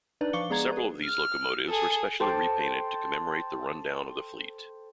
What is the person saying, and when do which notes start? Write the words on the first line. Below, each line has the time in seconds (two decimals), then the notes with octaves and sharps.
Several of these locomotives were specially repainted to commemorate the run-down of the fleet.
0.21 D4 D#4 B4 D5
0.33 F3 F5 C#6 D6 C#7 G7
0.50 G#3 B3 G#4 D5 A#5 G#6
0.73 G#4 B4
1.04 F6
1.68 G#4 A4
2.20 A4 C5 G5 D6